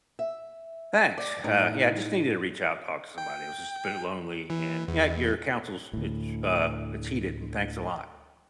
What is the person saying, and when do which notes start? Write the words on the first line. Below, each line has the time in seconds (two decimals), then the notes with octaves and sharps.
Thanks, uh, yeah, I just needed to reach out and talk to somebody, it was just a bit lonely, and yeah, your counsel's it's, uh, it's heated, and thanks a lot.
0.19 E5
1.18 D5
1.44 A2 D#4
3.18 G5
4.50 E3
4.88 E2
5.93 D2 A2